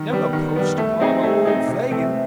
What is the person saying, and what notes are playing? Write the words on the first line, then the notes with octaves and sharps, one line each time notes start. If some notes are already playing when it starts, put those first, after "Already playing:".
Never poached upon old Fagin!
Already playing: D#3
G3 B3
D#3
G3 B3
A3
C4 D#4 G#4
A3
C4 D#4 G#4
C3
E3 A3 C4